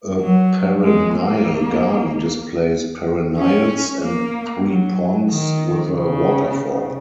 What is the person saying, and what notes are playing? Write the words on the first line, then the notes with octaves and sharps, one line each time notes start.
A perennial garden displays perennials and three ponds, with a waterfall.
F#3
G#3
A#3
C#4
A#3
F#3
D#3
C#3